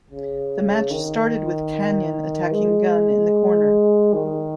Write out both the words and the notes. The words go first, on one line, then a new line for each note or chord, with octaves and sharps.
The match started with Kanyon attacking Gunn in the corner.
C#3
D#3
G#3
D#3